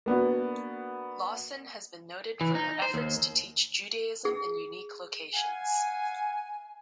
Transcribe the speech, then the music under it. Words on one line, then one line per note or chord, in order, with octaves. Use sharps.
Lawson has been noted for her efforts to teach Judaism in unique locations.
A#3 B3 D4 F#4
E3
D#4
C5
D#2
G#4
F5 F#5 G#5